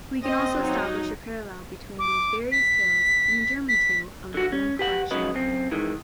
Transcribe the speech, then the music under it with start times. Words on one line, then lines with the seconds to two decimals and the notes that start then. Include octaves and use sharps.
We can also establish a parallel between these various tales and a German tale of the Grim collection.
0.25 C4 D#5
0.58 F#3 D#4
1.99 D6
2.52 B6
3.69 B6
4.34 D3 F#4
4.52 C#4
4.79 G4 B4 F#5
5.11 C#2 G#2 C#3 F#3 B4 D#5
5.34 F#2 C4
5.71 D#3 E3 G#3